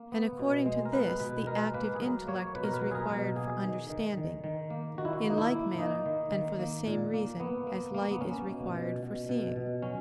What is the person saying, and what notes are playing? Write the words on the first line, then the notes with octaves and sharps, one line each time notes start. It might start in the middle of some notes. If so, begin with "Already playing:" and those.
And according to this the active intellect is required for understanding, in like manner and for the same reason as light is required for seeing.
Already playing: A#3
B3
B2
G#3
A#4
B3 B4
B2 B4
G#3 A#4
A#3 B4
G#4
F#3 A#4
A#3 C#5
B2 B4
A#4
B4
F#3
G#4
A#4
B2
A#3 G#4
D#3
D#3
D#3
D#3
A#3
D#3 F#4
E4
F#4
A#3
D#4
E4
A#3
A#3 D#4
D#3
D#3
A#3
A#2
A#3
A#3 B3
A#3
A#3
B3
A#3 C#4
B2
B2
B2
B2
B2
F#3 C#4